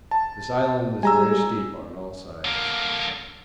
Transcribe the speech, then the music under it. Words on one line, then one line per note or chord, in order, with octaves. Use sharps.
This Island is very steep on all sides.
A5
G3 G#3 G#5 A#5 E6
D3 A#3